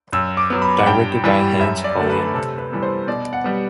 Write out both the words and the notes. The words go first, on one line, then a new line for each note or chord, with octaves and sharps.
Directed by Hans Hollein.
F#2 E6
D6
F#3 B3
B5
F#5
G2 G5
E3 G3
F#2 E5
D5
D3 A3
B4
C3 A4
B4
E3 G3 B3
C5
B2 D5
F#5
G3 B3